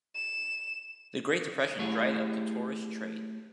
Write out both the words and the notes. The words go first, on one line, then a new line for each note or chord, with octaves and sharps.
The Great Depression dried up the tourist trade.
E7
A3 E4 G4 G#4 C#5